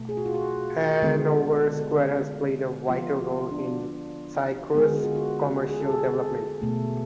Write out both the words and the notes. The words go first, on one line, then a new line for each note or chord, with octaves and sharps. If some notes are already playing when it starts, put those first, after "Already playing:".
Hanover Square has played a vital role in Syracuse's commercial development.
Already playing: B2 A3
G#4
F#4
F4
F#4
D3 G#3 B3
F3 B3 F4
F4
D4
D3 G#3 B3 G#4
F#4
F4
F#4
G#4
A4
G#4
B2 A3